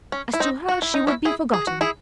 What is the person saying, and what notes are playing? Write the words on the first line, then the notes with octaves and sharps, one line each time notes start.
As to her she would be forgotten.
C#4
E4
C4 D#4
F#4
E4
D#4
C#4 E4
E4 G#4
G#4
F#4
E4 G#4